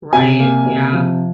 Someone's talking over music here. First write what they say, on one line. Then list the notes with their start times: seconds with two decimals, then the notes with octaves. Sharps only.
Right, yeah.
0.13 C3 G#5
0.40 A#3
0.66 C3
0.93 F3